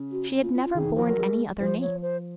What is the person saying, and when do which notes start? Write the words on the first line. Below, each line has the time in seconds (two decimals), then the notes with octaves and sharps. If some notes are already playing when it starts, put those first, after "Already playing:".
She had never borne any other name.
Already playing: C#3
0.12 F#4
0.43 F4
0.54 F4
0.65 F4
0.75 D#3 G#4
0.85 D#3
0.96 F3 A#4
1.07 F#3
1.18 G#3
1.60 F3 C5
1.81 C#5
2.02 C5